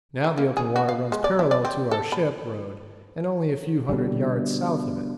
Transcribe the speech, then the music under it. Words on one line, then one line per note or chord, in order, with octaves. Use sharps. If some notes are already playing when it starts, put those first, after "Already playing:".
Now the open water runs parallel to our ship road and only a few hundred yards south of it.
D#3
A#3
G#4
F#4
F5
G#3
D5
E4
D5
C4
A4
B5
B2 D3 G3